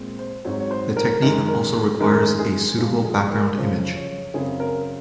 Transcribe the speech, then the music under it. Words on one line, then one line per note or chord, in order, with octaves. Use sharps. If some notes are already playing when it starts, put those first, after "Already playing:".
The technique also requires a suitable background image.
Already playing: A#2 G#3 C4
C5
G#2 F#3 C4 C#5
C#5
C5
A#4
F#2 D#3 G#3 A#4
A#4
F#2 D#3 G#3 A#4
G#4
G#2 F3 G#3 G#4
G#4
A#4
C#2 C#3 F3 C5
C#5
F#2 C#3 F#3 C4 G#4
A#4